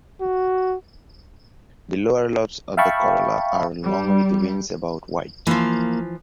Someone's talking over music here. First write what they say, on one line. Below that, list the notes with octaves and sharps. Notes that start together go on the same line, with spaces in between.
The lower lobes of the corolla are long with wings about wide.
F#4
E5 F5 G5 A5 B5 C#6
G3
E3 F3 A#3